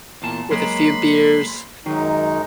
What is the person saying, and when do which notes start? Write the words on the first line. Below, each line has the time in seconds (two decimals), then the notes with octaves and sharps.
with a few beers,
0.22 E2 A#2 A5
0.51 F#3 G#3 A#3 B5 C6
1.86 F#2 D#3 F#3 G#3 D#4